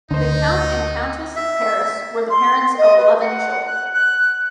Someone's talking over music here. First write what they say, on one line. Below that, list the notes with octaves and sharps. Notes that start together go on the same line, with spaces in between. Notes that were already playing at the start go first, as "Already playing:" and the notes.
The Count and Countess of Paris were the parents of eleven children.
D2 D3 D#4 C5 D#5
E5
C6
D#5
B4
F#5
F#6
F#6